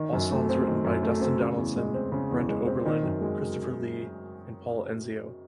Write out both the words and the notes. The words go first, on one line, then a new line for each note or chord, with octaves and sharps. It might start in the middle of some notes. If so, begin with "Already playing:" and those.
All songs written by Dustin Donaldson, Brent Oberlin, Christopher Lee, and Paul Enzio.
Already playing: D#3
F#2
A3
C4
D#3
F#2
A3
C4
C#3
E2
G#3
C4
C#3
E2
G#3
C4
D#3
F#2
G#3